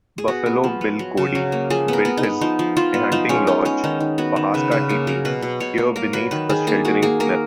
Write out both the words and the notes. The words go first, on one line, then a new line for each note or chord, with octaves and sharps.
Buffalo Bill Cody built his hunting lodge, Pahaska Teepee, here beneath a sheltering cliff.
G#4
B3 F#4
B3
F3
B3
F#3
C#3
F#3
A#3
F3 G#4
B3 A#4
B3
D#4
B3
F3 D#4
F3
F3 F4
B3
F3 D#4
G#3 C#4
B3 D#4
G#3 C#4
D#3 D#4
D#3
B3 F#4
D#3
C#3 B4
C#3 B4
A#3 G#4
F#3 A#4
B2 B4
B2
B2 C#5
A#3
A#3 A#4
F#3 B4
D#3 B4
D#3 G#4
A#3 G#4
A#3 F#4
A#3 G#4
A#3 A#4